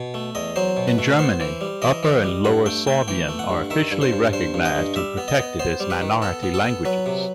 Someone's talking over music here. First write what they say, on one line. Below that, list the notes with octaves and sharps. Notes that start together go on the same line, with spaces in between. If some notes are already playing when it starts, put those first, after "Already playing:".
In Germany, Upper and Lower Sorbian are officially recognized and protected as minority languages.
Already playing: B2
A3
E2 D#5
F#3 C5
B2
B4
A3
B3 C5
E3
G3
E3 D#5
E3
G3
G2 F#5
A3 G5
A3 G5
E3 G5
A3
F#5
G2
D#3 E5
G2
C5
G2
G2 C5
G2
D#5
G2
G3 E5
B3
D#5
B3
B3 C5
G3
B4
D#3
B3 A4
B3
A4
B3
F#3 B4
C3